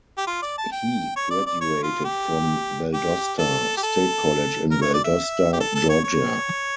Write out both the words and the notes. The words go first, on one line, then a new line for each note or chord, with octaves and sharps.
He graduated from Valdosta State College in Valdosta, Georgia.
G4
F4
D5
A5
G5
C#5
D5
D5
C#5
F4
G4
G4
A4
G4
A4
A#4
C#5
D5
E5
G4
A4
A4
C#5
C#5